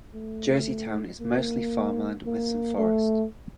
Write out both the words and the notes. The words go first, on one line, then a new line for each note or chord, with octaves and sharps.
Jerseytown is mostly farmland with some forest.
A3
A#3
A#3
A3